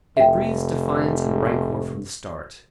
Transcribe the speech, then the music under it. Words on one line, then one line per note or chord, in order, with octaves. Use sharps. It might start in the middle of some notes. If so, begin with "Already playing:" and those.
It breathes defiance and rancor from the start.
F1 E5 G5